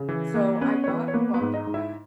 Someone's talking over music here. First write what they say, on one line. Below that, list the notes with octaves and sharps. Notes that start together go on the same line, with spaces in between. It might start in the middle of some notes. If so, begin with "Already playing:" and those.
So, I got a walking pad
Already playing: C#3
E3
A#3
B3 C#4 B4
C#5
E3 B3 B4
C#5
A#3 B3 B4
B3 B4
G#2
D#4 D#5
G#2
E4 E5